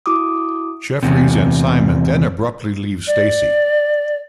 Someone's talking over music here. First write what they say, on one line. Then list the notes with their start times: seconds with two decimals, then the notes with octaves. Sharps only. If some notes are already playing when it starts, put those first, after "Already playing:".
Jeffries and Simon then abruptly leave Stacey.
0.06 E4 F#4 D6 D#6
1.03 E2 C3
3.07 D5